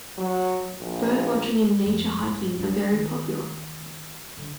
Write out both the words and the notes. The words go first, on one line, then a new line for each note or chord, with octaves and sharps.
Bird watching and nature hiking are very popular.
F#3
A#1
F2
G#2
D4
D#3
D3